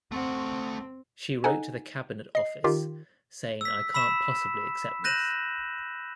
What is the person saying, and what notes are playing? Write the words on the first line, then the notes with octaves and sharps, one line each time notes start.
She wrote to the Cabinet Office saying I can't possibly accept this.
A3 C4 F#5
D#4 A4 F#5 G#5
D#5 C7
D#3 F4 G4
E6 B6
B5 E6 B6 E7
F#6 G6 A#6 D#7 E7 F#7